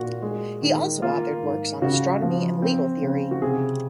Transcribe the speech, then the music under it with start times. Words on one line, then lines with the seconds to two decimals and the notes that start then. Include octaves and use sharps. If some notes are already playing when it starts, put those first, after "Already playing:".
He also authored works on astronomy and legal theory.
Already playing: A#2 F#4
0.22 G#3
0.62 D#3
1.02 A#3 F4
1.42 G#2
1.82 C#3 F#4
2.22 F3
2.62 C4
3.02 C#3
3.31 F#4
3.42 C3 G#4